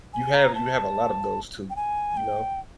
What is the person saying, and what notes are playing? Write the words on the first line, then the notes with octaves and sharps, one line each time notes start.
you have you have a lot of those too, you know.
G#5
A#5
A5
G5
G#5
G5